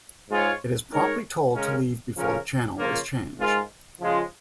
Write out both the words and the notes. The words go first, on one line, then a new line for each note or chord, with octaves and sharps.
It is promptly told to leave before the channel is changed.
G#2 G#3 F4 C#5
G#3 D#4 A#4 C#5
C#3 G#3 C#4 A#4
C#3 F3 C#4 A#4 C#5
C#3 F3 A#3 F4 C#5
G#2 G#3 F4 A#4
C#3 F3 G#3 F4